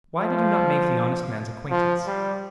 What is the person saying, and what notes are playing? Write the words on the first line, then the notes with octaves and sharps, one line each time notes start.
Why did you not make the honest man's acquaintance?
F3
F3
G3